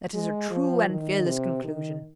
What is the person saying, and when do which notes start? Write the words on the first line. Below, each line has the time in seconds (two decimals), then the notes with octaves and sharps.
That is a true and fearless conclusion.
0.14 G#3
0.51 F3
0.89 D#3
1.26 C3
1.64 D#3